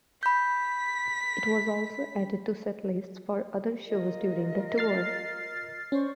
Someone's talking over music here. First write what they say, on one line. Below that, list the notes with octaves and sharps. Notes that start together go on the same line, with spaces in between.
It was also added to setlists for other shows during the tour.
B5 G6 B6
F4 A#4 D#5
F6 A6 C7
C#4 C5 D5 C#6